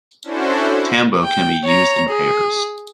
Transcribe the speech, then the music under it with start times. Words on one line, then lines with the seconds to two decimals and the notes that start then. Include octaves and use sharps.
Tambo can be used in pairs.
0.24 C#4 D4 E4 F#4 A4 C5
1.24 G5
1.64 C#5 A#5
2.09 G#4